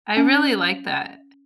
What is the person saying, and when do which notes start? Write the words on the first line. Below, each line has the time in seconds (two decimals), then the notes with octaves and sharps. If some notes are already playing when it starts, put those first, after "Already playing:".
I really like that.
0.17 C#4